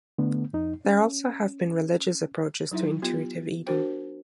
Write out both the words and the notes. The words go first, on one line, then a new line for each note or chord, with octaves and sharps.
There also have been religious approaches to intuitive eating.
D3 A3 B3
F2 D#4
C#4
F#3 D#4 E4 E5
B3 F4 G4
D4 F#4 A#4 C5 G5